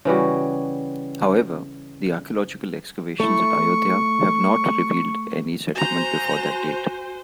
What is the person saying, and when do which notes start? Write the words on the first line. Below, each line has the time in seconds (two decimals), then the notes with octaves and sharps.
However, the archaeological excavations at Ayodhya have not revealed any settlement before that date.
0.05 C#3 E3 G3 F#4
3.20 A3 E4 C#6
5.75 F#4 C5 G#5 A#5